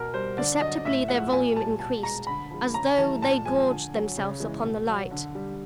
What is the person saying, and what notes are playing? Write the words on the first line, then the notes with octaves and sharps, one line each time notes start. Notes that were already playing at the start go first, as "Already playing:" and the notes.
Perceptibly their volume increased--as though they gorged themselves upon the light.
Already playing: B2 A#4
G3 C5
D3 D5
F#3 D#5
A2 E5
F3 G#3 F#5
A#2 G#5
G3 A5
B2 A5
G#3 A#5
D3 B5
F3 G#3
C#3 A#5
E3 G3 A5
A#2 A5
F3 G#3 G#5
D3
F#3
C#3
E3 G#3
B2
F#3
D3
G3